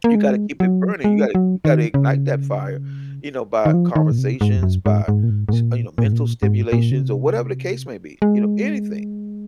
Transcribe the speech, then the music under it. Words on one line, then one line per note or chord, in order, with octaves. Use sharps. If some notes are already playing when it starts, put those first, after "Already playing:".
You gotta keep it burning. You gotta you gotta ignite that fire, you know, by conversations, by sh you know, mental stimulations or whatever the case may be, you know, anything.
A#3
G#3
F#3
G#3
F#3
D#3
C#3
D#3
F3
D#3
A#2
C3
G#2
F2
F#2
G#2
G#2
A#2
G#2
G#2
A#2
A#2
G#2
A#2
G#2
A#2
C#3
C3
G#3